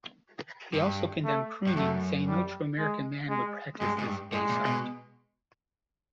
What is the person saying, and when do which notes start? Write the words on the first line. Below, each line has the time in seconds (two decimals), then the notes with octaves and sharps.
He also condemned crooning, saying, No true American man would practice this base art.
0.73 G2
1.25 A3
1.67 G2
1.75 F#2 A3
2.28 G3
2.78 G#3
3.30 G#3
3.80 G2 G#3
3.98 G#2
4.06 G2
4.32 G2 G#3
4.49 A#2
4.65 B2